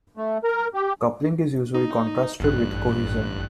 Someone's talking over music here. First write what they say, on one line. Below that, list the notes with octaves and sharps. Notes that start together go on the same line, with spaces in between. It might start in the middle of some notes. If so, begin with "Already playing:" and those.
Coupling is usually contrasted with cohesion.
A3
A#4
G4
D#4
A1 G2 F#6